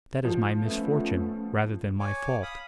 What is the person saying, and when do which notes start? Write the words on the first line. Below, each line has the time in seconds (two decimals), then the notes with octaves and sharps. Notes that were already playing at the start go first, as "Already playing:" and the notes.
"That is my misfortune, rather than my fault."
0.25 F3
0.62 A3 B3 C#4
1.99 C#5 G#5 D6
2.42 F5 B5 D#6